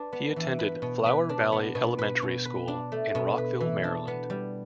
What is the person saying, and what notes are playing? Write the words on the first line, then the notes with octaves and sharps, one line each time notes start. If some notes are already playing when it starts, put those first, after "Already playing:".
He attended Flower Valley Elementary School in Rockville, Maryland.
Already playing: D4 B4
B3
E3
B4
B2
B4
D4
B3
B2
B4
B2
B4
D4
A3
B2
B4
E3
D4
B3
G3